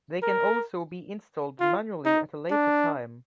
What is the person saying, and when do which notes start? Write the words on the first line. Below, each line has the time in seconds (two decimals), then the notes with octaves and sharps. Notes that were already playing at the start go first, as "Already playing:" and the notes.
They can also be installed manually at a later time.
0.22 A#4
1.60 F4
2.05 D#4
2.51 D4